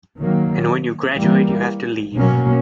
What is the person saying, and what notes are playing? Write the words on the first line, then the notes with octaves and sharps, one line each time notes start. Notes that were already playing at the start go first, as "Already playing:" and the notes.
And when you graduate you have to leave.
D#3 F#3 A#3
E3 G3 A#3
B2 F#3 A#3 C#4